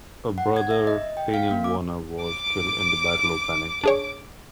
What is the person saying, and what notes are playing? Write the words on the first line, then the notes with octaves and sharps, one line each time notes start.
A brother, Daniel Warner, was killed in the Battle of Bennington.
F#5
G#6
E5
D#5
G5
F5
A#3
D6
D6
D4 G#4 C#5